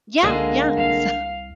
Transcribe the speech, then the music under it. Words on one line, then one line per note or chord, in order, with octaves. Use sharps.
Yeah, yeah, so
C#2 D3 G#3 A#3
C2 F5